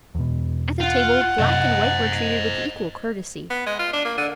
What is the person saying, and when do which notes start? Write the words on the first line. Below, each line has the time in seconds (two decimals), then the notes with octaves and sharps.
At the table black and white were treated with equal courtesy.
0.15 E2 B2
0.81 F4 F#5
1.39 F#2 C3 C5 D#5
3.50 B3
3.66 G#3
3.79 F4
3.93 D4
4.05 A#3
4.18 D3